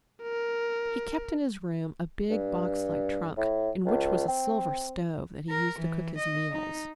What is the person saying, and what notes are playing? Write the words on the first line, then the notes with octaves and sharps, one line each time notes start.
He kept in his room a big box-like trunk, in which was a silver stove that he used to cook his meals.
A#4
G2
A2
C#2
C4
A#4
E3
D#5
D#4